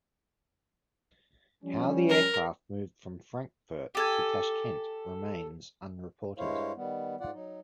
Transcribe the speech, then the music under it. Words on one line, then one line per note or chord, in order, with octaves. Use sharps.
How the aircraft moved from Frankfurt to Tashkent remains unreported.
F3 G3 C#4
A#4
G4 A4 G#5
G2 G#3 E4 C5 C#5 F5
D#3 G3 B3
G#2 F4 D5 F#5
F#3 D#4